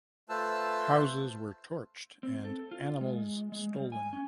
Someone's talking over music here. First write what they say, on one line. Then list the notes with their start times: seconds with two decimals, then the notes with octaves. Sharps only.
Houses were torched and animals stolen.
0.29 A3 F4 B4 C5 A5 E6
2.23 C4
2.45 A4
2.71 F4
3.01 G#3
3.52 G#3
3.75 G3
3.92 G#5
4.13 C#4